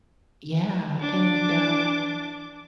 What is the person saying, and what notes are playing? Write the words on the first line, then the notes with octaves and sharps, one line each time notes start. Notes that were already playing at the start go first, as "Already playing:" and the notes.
yeah, and, um,
D4 D6